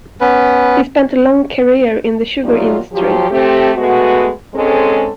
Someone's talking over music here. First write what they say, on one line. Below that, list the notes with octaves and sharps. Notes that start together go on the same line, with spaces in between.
He spent a long career in the sugar industry.
B3 C#4 B4
D#2 F#3 G3 A3 D#4 F4
F3 F#3 G4
A3 C4 G4
G#3 A3 B3 F#4
G#2 G#3 C4 C#4 A4